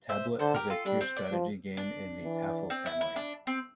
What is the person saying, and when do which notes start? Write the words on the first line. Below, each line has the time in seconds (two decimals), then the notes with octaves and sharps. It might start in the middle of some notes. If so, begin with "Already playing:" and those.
"Tablut" is a pure strategy game in the tafl family.
0.09 C5 E5
0.39 D3 A4 C5
0.54 G4 A#4
0.70 F4 A4
0.86 G3 D4
1.01 C4
1.16 D4
1.32 F3
1.77 D4
2.24 E3
2.70 C4
2.86 E4
3.01 E4
3.16 D4
3.47 C4